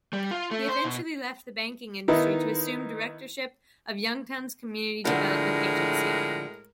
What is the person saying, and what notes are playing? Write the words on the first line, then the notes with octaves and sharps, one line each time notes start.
He eventually left the banking industry to assume directorship of Youngstown's Community Development Agency.
G3
F4
A3
C5
B2
D#3 B3 D#4 E4
A2 D3 F3 G#3 A#4